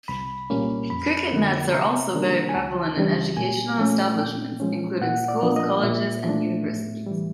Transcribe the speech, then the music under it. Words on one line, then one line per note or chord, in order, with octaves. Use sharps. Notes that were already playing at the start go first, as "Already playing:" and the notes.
Cricket nets are also very prevalent in educational establishments; including schools, colleges and universities.
C2 B5
A#2 G3 A#3 C#4
F2 B5
D3 F3 A#3
C3 A#5
D#3 G3 A#3 D4
G#5
C#2 A5
C#3 E3 G3
A#2 G#5
F3 A3 C#4
A#2 G5
F3 G#3 C#4
A#2 F#5
D5
F3 A#3 D4
D#5
A#2 E5
F3 A3 D4
A2
E3 G3